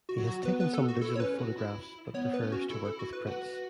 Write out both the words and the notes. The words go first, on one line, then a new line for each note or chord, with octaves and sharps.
He has taken some digital photographs but prefers to work with prints.
F#4
F#3
F#4
B3 B4
B4
A4
F#4
E4 A4
C#5
C#4 B4
F#4
E4
B3 C#5
B4
C#4
F#4
E4 A4
A4
F#4
B4
F#4